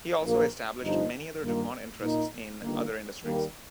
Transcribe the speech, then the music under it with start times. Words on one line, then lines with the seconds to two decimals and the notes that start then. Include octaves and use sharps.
He also established many other DuPont interests in other industries.
0.22 A#1 A#2 A#3
0.82 G1 G2 F3 D#4
1.41 G2 D#3 A#3 F4
2.02 A#2 A#3 D#4
2.61 G1 G2 D#3 A#3
3.21 D#2 D#3 G3 A#3